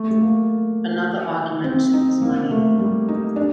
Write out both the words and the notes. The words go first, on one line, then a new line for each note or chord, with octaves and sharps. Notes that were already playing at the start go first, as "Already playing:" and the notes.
Another argument is money.
Already playing: A3
A3
A#3
C4
D#4
A#3
A3
G3
D#4
D4